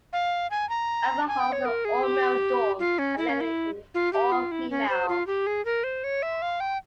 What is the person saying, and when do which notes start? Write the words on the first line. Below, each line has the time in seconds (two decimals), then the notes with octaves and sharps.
Albert Hall was an all-male dorm, and Lemming an all-female.
0.13 F5
0.51 G#5
0.69 A#5
1.28 G#5
1.40 G5
1.52 C#5
1.65 A#4
1.85 G#4
2.03 G4
2.79 F4
2.99 C#4
3.18 E4
3.29 C#4
3.41 E4
3.94 F4
4.13 G4
4.32 F4
4.51 E4
4.71 C#4
4.89 C5
5.09 F4
5.27 G4
5.47 G#4
5.65 A#4
5.84 C5
6.04 C#5
6.23 E5
6.42 F5
6.60 G5